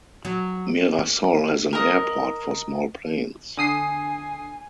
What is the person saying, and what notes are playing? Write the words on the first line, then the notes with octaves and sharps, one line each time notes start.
Mirassol has an airport for small planes.
F#3
A#4 D#5
D3 G#5 D#6 C7